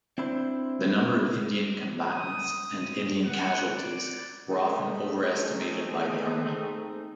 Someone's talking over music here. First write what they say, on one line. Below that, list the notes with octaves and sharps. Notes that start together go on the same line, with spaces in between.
The number of Indian combatants and Indian casualties were often overestimated by the army.
C4 D4 E4 C5
D#6
F#5
D5
G#2 A3 C4 D#4 G#4